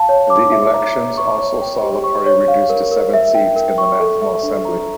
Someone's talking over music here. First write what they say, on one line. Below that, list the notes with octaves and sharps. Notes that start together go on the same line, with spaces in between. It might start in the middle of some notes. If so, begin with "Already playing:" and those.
The elections also saw the party reduced to seven seats in the National Assembly.
Already playing: F5 A5
C#5
D6
E5
A#5
C#5
C#6
C#5
G5
G4
C#6
C#5
F5
A#4
A#4
E5
G5
A#4
C#6
A4
E5
D4
A#5